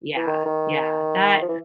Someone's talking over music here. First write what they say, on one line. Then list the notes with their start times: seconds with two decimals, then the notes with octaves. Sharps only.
Yeah, yeah, that
0.16 E3
0.27 D#3
0.46 D#3
1.42 F3
1.49 E3